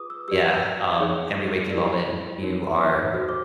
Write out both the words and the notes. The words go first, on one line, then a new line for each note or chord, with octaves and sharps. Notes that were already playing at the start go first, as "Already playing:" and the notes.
yeah, um, every waking moment, you are
Already playing: F4 G#4 B4 D6 D#6
E6
G4 B4 D5 E6
D#4 G#4 C#5
E4 G4 A#4 D5
D#4 F#4 A#4 C#5
F#4 A4 C5 F6
D6